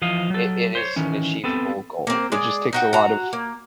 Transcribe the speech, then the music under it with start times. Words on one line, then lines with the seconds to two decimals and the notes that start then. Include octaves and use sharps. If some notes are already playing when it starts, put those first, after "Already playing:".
it it is an achievable goal, it just takes a lot of
0.02 E3 F3 D#5 F5
0.30 F#3 A4
0.75 C5 C#5
0.96 D#3 E3 C#4
1.44 B3 C4 A4
2.07 A#3 C4
2.32 G#3 G#4 D5
2.73 D#4 F#4 G5
2.93 F#4 A#5
3.33 A#3